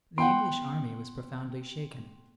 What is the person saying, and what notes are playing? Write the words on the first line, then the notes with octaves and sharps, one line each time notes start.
The English army was profoundly shaken.
B3 F#5 G5 C6